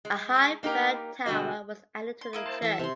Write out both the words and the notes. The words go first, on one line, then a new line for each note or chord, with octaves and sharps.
A high bell tower was added to the church.
G#3
A#3 D#4 G4 A#4
B2 D3 G3 F#4 D#5
C6
A#3 E4 D#6
C5 A5
E3 A4 E5
C3 C6